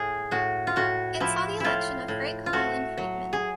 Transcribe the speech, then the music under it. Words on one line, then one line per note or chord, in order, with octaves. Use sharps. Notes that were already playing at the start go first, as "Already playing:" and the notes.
It saw the election of Frank Harlan Freedman.
Already playing: A2 G#4
A2 F#4
F4
A2 F#4
F3 E4
A2 E4 F4
A2
F4
A3 F#4
F#3
G#4